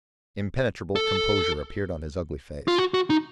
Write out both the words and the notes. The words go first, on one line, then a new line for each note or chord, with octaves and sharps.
Impenetrable composure appeared on his ugly face.
A4
F4
F#4
F#4
D#4